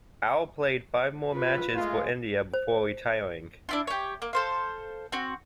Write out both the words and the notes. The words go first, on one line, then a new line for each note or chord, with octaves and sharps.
Ao played five more matches for India before retiring.
F4 B4
G#3 A3 F4
C5
D4 E4 F4
G4 C#5
A#3
A4 C5 F5
C4 F#4